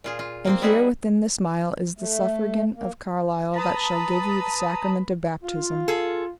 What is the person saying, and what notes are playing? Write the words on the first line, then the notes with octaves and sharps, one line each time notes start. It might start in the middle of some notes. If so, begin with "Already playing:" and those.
And here within this mile is the Suffragan of Carlisle that shall give you the sacrament of baptism.
A#2 F4 G#4
F4
A#3 C4 C5
G3 B3 D#4 G#4 E5 F#5
A3
A#3
B4 A5 A#5 D#6
F4
G#4 A4